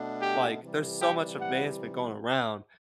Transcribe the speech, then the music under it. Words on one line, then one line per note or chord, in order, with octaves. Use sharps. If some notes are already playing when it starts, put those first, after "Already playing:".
Like, there's so much advancement going around,
Already playing: B2 A3 D4
G4
C3 E3 G3
G4
F#5